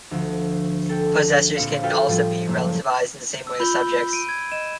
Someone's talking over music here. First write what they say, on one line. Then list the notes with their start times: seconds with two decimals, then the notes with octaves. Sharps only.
Possessors can also be relativised in the same way as subjects.
0.11 D2 F3
0.89 A4 G5
1.56 A#1 C4 F5 C#7
1.83 F4 F#4 A4 B4 F5 G5
2.07 A2 F3 G3 C4 F4
2.47 F#1 A3 A#3
3.47 E6
3.60 F4 B5 G6 G7
4.13 D7 D#7
4.29 G#6
4.52 D#5 E7